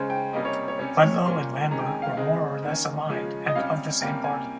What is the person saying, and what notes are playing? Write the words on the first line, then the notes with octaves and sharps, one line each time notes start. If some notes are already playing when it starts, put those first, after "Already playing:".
Ludlow and Lambert were more or less aligned and of the same party.
Already playing: C#3 G#3 C#4 C5
G5
C3 G3 A#3 C#4 D#5
C#5
C#5
C3 G3 C#4 C#5
C#5
A#2 G3 A#3 C#4 C6
C3 D#3 G#3 C#4 A#5
G5
G#5
F5
F5
C#3 G#3 C4 D#5
D#3 A#3 C#4
C#3 F3 G#3 C#4
D#5
C3 G3 C#4 F5
C3 G3 A#3 C#4 G5
G#5